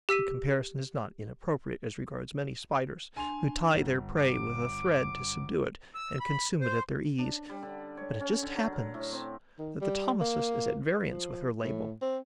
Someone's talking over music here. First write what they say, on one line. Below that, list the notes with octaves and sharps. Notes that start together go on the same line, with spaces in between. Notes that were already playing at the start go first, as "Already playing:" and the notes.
The comparison is not inappropriate as regards many Spiders who tie their prey with a thread to subdue it and consume it at their ease; but it just happens that the Thomisus is at variance with her label.
G4 E6 B6 D#7
D4 G#5 C6 F7
G1
D6
E6
B5
C5
D4
G3
D3
C#5
C#4
D3
F#3
A#4
A2
C4
D#3
G3
A#3
F3
A2
C4